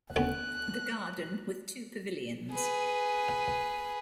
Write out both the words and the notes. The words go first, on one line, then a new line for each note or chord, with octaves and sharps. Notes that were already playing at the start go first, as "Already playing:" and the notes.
The garden, with two pavilions.
D2 B3 C#4 F#6
G#4 B4